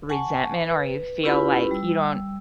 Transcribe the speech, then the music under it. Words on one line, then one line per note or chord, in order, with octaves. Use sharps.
resentment or you feel, like, you don't
F#5 G#5 A5 C#6
B4
C#4 E4 F4 G4 B4 B5
G3 E6